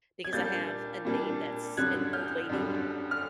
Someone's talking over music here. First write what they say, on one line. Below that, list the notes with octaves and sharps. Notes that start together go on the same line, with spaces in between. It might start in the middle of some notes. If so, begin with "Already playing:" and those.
because I have a name that's an old lady name.
G#6
A#2 G3 A#3 D4 G6 A6
A#2 G3 A#3 D4
F#2 D3 G3 F#6 G#6
F6 G6
F#2 D3 G3
F6